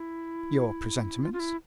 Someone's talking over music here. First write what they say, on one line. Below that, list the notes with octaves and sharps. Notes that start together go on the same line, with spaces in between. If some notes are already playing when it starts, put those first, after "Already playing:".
"Your presentiments?"
Already playing: E4
F4
F4
E4